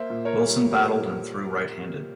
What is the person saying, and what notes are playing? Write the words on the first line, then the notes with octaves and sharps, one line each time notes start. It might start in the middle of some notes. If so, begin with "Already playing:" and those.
Wilson batted and threw right-handed.
Already playing: A#3 C5 E5
A#2
A#4 C#5
G3
A#2 G4 A#4
A#3